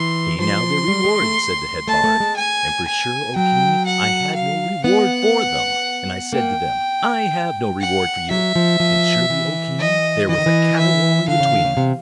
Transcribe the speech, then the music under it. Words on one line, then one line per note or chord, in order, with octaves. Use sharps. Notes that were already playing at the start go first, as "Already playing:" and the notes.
'Pay now their reward,' said the head bard; and for sure, O king, I had no reward for them; and I said to them, 'I have no reward for you.' And surely, O king, there was a catterwauling between them.
Already playing: E3 C6
F3 C6
G3
G#3
A3
A3 A5
A3
G#3
G#5
G#5
F#3 G5
F#5
F5
B3 F#5
A#3 G5
F#5
F#3 E5
F3
F3
E3
D#5
E3 D#5
D#3
E3
E5
D3 F5
C#3
D3
C#3
C3